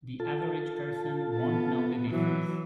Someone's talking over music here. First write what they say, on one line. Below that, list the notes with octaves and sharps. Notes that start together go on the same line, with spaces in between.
The average person won't know the difference.
F4 A4 A5
B3
E3 F#3